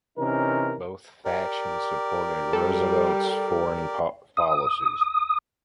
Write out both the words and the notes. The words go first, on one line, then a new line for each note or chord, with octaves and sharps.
Both factions supported Roosevelt's foreign policies.
C3 E3 C#4 D#4 A#4
G4 A#4 D5
G3 A4
D#6